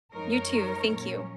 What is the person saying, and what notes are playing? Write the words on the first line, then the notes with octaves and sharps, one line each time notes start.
You too. Thank you.
F#2 F3 G#3 D#4 A#4 C#5
A#2 F#3 C#4